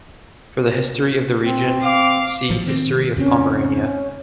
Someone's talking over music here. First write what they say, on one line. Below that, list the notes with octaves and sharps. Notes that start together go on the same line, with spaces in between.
For the history of the region, see "History of Pomerania".
C4
F5 D6
A1 A2 F3
A2 D#3 C4
F2 C#3 C4 C#4